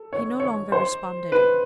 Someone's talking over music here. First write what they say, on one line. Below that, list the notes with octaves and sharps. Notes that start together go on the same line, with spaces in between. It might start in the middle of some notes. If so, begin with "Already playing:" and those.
He no longer responded.
Already playing: A4
C#5
C#5
C5
B4